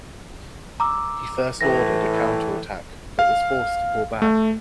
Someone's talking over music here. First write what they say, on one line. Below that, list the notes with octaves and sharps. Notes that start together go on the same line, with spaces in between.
He first ordered a counterattack, but was forced to pull back.
A#5 D6 E6
A2 E3 A#6
F5
A3